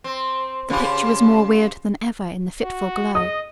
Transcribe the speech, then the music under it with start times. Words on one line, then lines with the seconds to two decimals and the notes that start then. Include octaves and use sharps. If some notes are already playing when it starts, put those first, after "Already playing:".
The picture was more weird than ever in the fitful glow.
0.04 C4
0.70 C#3 F4 G4
2.62 F#4
3.15 D#5 D#6